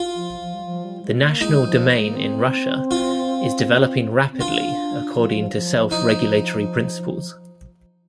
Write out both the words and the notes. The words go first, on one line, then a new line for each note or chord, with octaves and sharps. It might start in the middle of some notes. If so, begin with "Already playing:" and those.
The national domain in Russia is developing rapidly according to self-regulatory principles.
Already playing: F4
F3
F3
G3
F3
G3
G#3
C4
A#3
G#3 D#4
G3
F3
G#3
A#3
C4
F4
C4
D4 F4
F3
G3
F3
G3
F3
F3 D#4